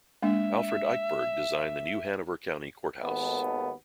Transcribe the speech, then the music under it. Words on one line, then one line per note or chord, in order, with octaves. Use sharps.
Alfred Eichberg designed the New Hanover County Courthouse.
G#3 A#3 D4 E5
G#1 D#2 B3 A4